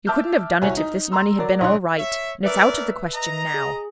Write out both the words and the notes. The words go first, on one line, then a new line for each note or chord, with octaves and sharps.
You couldn't have done it if this money had been all right, and it's out of the question now.
E5 A5 D6 E6 F6 G6
C2 F#4 C#5 G#5
D#4
A#5 C6 E6
F#3 A#4 D5
B1 D4 D#4 C#5 C6 F#6
C#5 E5
C#4 A#4 B4 D5 E5 E6
D#5 A#5
G#4